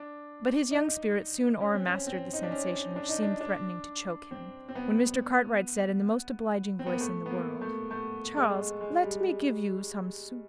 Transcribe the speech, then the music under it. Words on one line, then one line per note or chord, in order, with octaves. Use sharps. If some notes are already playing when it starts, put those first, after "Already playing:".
But his young spirit soon o'er mastered the sensation which seemed threatening to choke him, when Mr. Cartwright said in the most obliging voice in the world, "Charles, let me give you some soup."
Already playing: D4
D#4
C#4
C4
C#4
C4
D#4
D4
C#4
D4
D#4
D4
D4
C4
C4
B3
C4
B3
A#3
A3
B3
A#3
A3
A3
G#3
G#3
G3